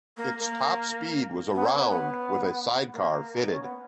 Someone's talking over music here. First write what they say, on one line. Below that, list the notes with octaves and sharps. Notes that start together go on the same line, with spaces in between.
Its top speed was around with a sidecar fitted.
A#3
A#3
B3
C#4
B3
B3
A#3
D#4
C#4
B3